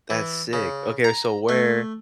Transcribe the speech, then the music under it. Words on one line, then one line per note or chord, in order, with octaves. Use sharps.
That's sick. Okay, so where
E3
C#3
A#5
A3